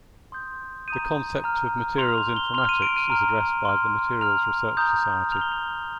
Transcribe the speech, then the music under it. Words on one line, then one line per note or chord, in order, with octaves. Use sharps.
The concept of materials informatics is addressed by the "Materials Research Society".
C6 D#6 G6
A#5 D#6 G6 D#7
A#5 F6
C6 F6 F7
F7
G7
C6 F6 F7
D#7
D7
D#7
A#5 F6
C6 F6
A#5 F6 F7
A#5 D#6 G6
A#5 F6 F7
G7
F7